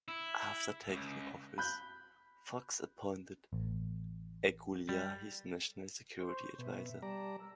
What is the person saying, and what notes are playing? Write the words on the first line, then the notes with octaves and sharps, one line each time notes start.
After taking office, Fox appointed Aguilar his national security advisor.
E4
C#2 G#2
B5 F#6 G6
A1
G3
C5 C6 C#6
B2 E5
G3 D5 A5 A#5
A#4 E6